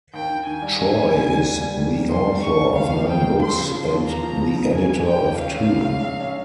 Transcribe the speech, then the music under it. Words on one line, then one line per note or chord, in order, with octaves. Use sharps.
Troy is the author of nine books, and the editor of two.
D#2 G5
D#3
D#3 G#5
G3
G3
D#3
G3
G3
G3
G3
D#3
D#3
D#2 C6
G3
G3 C#6
G3
D#2 F5
F3
C#3 G5
C#3
F3 C6
C#3
F3 C6
D#2
A#3 A#5
F3
F3
C#3
C#3 G#5
C#3
F3 G5
A#3
C#4 F5
A#1
G#3
C#4
A#1
C#4